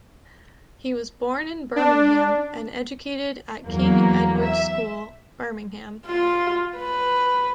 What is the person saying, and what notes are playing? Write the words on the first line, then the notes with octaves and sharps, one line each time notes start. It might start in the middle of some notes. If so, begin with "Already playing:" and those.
He was born in Birmingham, and educated at King Edward's School, Birmingham.
D4
E2 F#3 A#3
E5
F4
B4